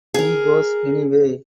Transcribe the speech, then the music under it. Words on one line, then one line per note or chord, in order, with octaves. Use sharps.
He goes anyway.
G#4 A#4